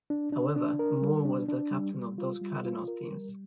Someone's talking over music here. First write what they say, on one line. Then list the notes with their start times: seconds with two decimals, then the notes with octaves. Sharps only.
However, Moore was the captain of those Cardinals teams.
0.10 D4
0.32 D4
0.56 D4
0.79 A#4
1.02 G3
1.25 D4
1.48 D4
1.71 G3
1.95 G3
2.18 F4
2.41 G3
2.65 F4
2.88 A#4
3.11 G3